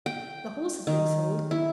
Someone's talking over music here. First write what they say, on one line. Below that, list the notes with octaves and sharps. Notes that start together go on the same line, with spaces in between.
The horse has been sold.
G5
D#3
E4